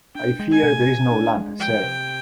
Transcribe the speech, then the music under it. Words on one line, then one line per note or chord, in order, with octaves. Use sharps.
I fear there is no lamp, sir.
D4 G5
G#3
G#5
B2
B2
D4
G#3
F3 G5
C3